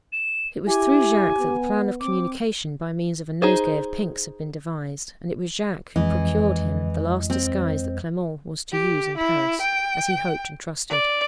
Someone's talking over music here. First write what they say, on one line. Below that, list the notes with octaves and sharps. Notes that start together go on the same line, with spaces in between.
It was through Jacques that the plan of communication, by means of a nosegay of pinks, had been devised; and it was Jacques who procured him the last disguise that Clement was to use in Paris--as he hoped and trusted.
E7
E4 G4 G#5
B3
C4 D6
D#4 G#4 C5
F2 E3 G#3 D#5
C4
G4
E4
G5
D5